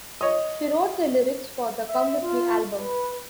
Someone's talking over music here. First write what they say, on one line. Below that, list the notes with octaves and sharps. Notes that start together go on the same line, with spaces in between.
She wrote the lyrics for the "Come With Me" album.
C#5 D#5
E5
F4
B4